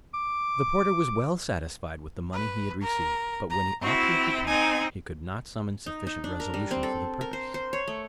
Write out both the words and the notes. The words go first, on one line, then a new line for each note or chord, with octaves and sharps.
The porter was well satisfied with the money he had received; but when he ought to have departed, he could not summon sufficient resolution for the purpose.
D6
B4
A#4
A#5
C4 E4 F#4
C4 D#4 G#5
D#4
D#4
D4
A#4
G3
C4
A4
A#4
C5
C5
C#5
A3